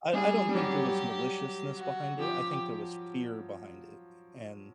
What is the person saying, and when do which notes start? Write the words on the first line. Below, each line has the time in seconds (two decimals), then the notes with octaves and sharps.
I I don't think there was maliciousness behind it, I think there was fear behind it, and,
0.13 G3 G#4
0.49 G3
0.55 F#3 G4
1.78 F#4
2.19 F3 G4